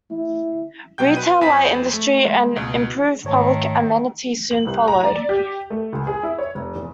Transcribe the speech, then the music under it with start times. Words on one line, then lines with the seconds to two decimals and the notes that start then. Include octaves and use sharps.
Retail, light industry and improved public amenity soon followed.
0.11 E4
0.98 B2 F#3 G5 G6
1.16 B4 D#7
1.41 F2 G#5 B5 B6
1.94 A3
2.25 G#3
2.56 C#2 B2
3.24 G#2 D#3 A3 C#5 A5
4.51 F#7
4.67 C2
4.88 A#5
5.05 D5
5.29 G4
5.70 A3
5.93 C#2
6.07 G#4
6.23 E4
6.38 C#5
6.55 F1
6.75 E2